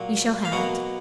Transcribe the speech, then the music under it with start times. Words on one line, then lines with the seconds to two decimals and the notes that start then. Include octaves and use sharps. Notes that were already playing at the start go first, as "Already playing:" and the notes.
"You shall have it."
Already playing: A#2 F#3 A#3
0.45 F5
0.52 B2 F#3 A#3 F#4 F#5